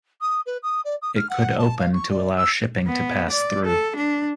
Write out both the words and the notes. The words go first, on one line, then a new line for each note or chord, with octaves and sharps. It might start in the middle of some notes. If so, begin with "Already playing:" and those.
It could open to allow shipping to pass through.
D#6
B4
D#6
D5
D#6
F6
F#5
A5
F5
C#6
D5
E6
B3
D5
A4
D4